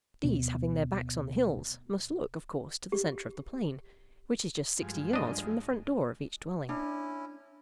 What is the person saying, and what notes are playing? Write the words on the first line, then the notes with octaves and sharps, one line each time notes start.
These, having their backs on the hills, must look, of course, to the centre of the plain, which is just sixty yards from the front door of each dwelling.
D2 B2
G4
G2 F3 G#3
D4 D#5
C#4 D4 E4